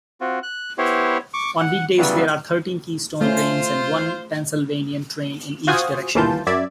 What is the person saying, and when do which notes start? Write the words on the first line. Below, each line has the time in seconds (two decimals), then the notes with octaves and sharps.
On weekdays there are thirteen Keystone trains and one "Pennsylvanian" train in each direction.
0.21 C4 F4 F#4
0.43 F#6
0.78 B3 E4 G4 C5 C#5
1.34 C#6 D6
1.60 F#5
1.98 C#3 E3 F#3 G3 B3
3.21 A3 C#4 F4 C5
5.67 F4 F#4 C5 G#5 D#6
6.15 G1 D#2 E3 F4 A5 G6
6.47 F#2 D5 E5 G#6